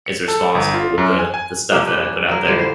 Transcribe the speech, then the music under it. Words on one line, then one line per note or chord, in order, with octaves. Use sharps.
is responsible with the the stuff that I put out there.
C#7
A4
G1
F4
F#2
G#5
G#5
C3 F3 A#3 G4
B4
C#4
F#3 A#4
D3 G3 E4 F4
C5